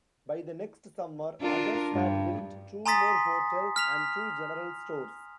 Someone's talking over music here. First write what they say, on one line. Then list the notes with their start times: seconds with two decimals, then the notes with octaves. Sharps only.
By the next summer others had built two more hotels and two general stores.
1.41 D4 F4 A#4
1.93 G2
2.86 G#5 A#5 C6 D#6 A6 B6
3.76 F6 B6 F7